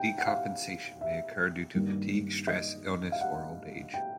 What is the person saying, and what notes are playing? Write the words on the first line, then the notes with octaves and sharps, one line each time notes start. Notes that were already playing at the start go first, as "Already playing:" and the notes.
Decompensation may occur due to fatigue, stress, illness, or old age.
Already playing: D#3 G5
F#5
F5
E5
G2 D#3 G3 A#3
D#5
F5
F#5
G5